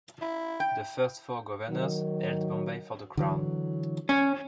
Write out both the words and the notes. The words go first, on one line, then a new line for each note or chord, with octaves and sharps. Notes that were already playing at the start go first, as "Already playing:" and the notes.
The first four governors held Bombay for the Crown.
E4
G5
D#3 F#3
D3 E3 F#3
C#4